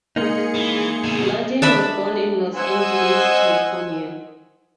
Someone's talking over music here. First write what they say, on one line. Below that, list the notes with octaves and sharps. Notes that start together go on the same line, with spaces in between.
Ledeen was born in Los Angeles, California.
G#3 A#3 D#4 G#4 C#7
E3
B2 A3
D4 E5 B5
C5 D#5 F#5 G#5 E6 G#6